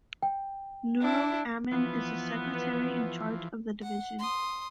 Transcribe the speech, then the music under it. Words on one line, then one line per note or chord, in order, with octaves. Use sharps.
Nurul Amin is the Secretary in charge of the division.
G5
D4 E4
E3 F3 B3
F#5
C6 D#6